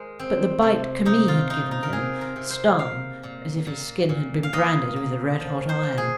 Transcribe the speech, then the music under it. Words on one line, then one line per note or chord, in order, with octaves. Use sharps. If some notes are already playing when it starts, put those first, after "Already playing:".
But the bite Camille had given him stung as if his skin had been branded with a red-hot iron.
Already playing: G#3 A#4 C5
C4
C3
C3 D#4
F4
C3 D#4
D#4
A#4
C4 G#4
A#4
C3
C5
A#3 F5
A#2
A#2
A#2
F5
A#3 D#5
A#3
F3
C5
A#3
G#4